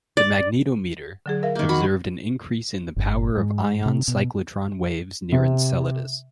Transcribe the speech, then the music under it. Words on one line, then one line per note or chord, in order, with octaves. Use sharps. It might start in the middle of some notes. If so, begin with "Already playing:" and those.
The magnetometer observed an increase in the power of ion cyclotron waves near Enceladus.
D5
D3 F#3 G#4
A#4 E5 F5
D#3 A#3 G6
F#4 B5
G1
G#2
C3
B2
C3